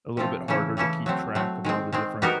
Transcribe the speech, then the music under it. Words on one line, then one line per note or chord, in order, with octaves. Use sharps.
a little bit harder to keep track of all the different
C3 F3 A3 C4 F4
C#3 E3 A3 C#4 E4
C#3 E3 A3 C#4 E4
F#3 A3 C4
F#3 A3 C4
D#3 G#3 C4
D#3 G#3 C4
G3 B3 D#4 F#4 A#4